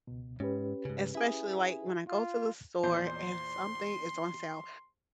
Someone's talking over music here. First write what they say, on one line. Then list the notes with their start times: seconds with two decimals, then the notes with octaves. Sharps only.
especially, like, when I go to the store and something is on sale.
0.07 C#2 B2
0.40 G#2 C#4 G4 B4
0.85 G#2 C#3
1.15 E4 G#4
2.08 F4
2.83 E2 A#2 C5 C6